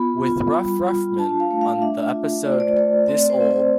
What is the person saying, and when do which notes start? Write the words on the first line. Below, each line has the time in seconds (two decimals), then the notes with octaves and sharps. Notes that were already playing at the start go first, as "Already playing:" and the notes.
With Ruff Ruffman" on the episode "This Old...
Already playing: B3 F4 B5
0.23 F4
0.56 G3
0.87 F4
1.18 D4 A5
1.40 F5
1.51 A3
1.61 F5
1.82 D4 E5
2.14 F4
2.45 A3 D5
2.52 C5
2.60 D5
2.77 A3 D5
3.08 C4 D5
3.20 D5
3.30 C5
3.41 C4
3.51 C5